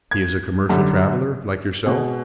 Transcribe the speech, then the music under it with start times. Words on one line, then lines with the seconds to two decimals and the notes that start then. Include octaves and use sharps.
"He is a commercial traveler like yourself?"
0.11 G#6
0.69 F#2 D3 G3
1.86 B2 G#3